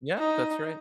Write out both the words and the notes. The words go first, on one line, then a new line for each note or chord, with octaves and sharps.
Yeah, that's right.
D#4